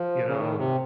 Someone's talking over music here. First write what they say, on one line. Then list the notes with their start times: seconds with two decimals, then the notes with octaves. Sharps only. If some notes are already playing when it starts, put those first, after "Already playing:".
you know,
Already playing: F3
0.28 C#3
0.39 D#3
0.59 C3